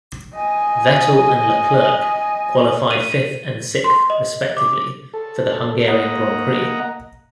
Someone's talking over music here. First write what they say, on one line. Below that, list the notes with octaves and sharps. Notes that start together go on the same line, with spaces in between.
Vettel and Leclerc qualified fifth and sixth respectively for the Hungarian Grand Prix.
D#5 G#5
D#7
C6
D#5
D6
A4
A#3 D#5 F#5 A#5